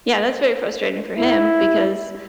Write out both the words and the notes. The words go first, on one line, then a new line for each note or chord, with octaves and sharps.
yeah, that's very frustrating for him because
E4